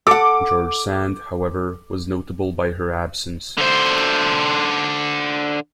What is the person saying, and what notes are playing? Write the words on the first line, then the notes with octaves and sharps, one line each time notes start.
George Sand, however, was notable by her absence.
A4 F#5 D6
D3 C5